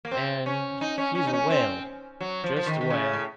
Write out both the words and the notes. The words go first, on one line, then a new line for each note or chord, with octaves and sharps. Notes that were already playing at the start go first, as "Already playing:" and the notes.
And he's a whale, just a whale.
A#3
C4
C#4
D#4
C#4
C#4
D#4
C#4
C4
F#3
F3
F3
D#3
D#3
C#3
A2